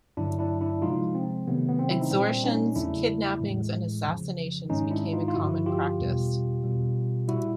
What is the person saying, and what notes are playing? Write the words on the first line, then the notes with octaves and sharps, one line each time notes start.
Extortions, kidnappings and assassinations became a common practice.
G2 D3 F#3 D4 E4
D4 E4
D4 E4
C3 F3 G#3 D#4 F4
C4
C3 D#3 F#3 A3 B3
B3
C4
E4
D#4
A#2 G3 C4 D4
C#4 D#4
E2 C#3 F#3 A3 D4 E4
A2 E3 G#3
F2 C#3 F3
G#2 D#3 G#3 C#4 D#4
D4 E4
D#4 F4
F4
G2 D3 F3 E4 F#4
F4 G4
E2 B2 G3
B2 G3
A#2 G3 E4 F#4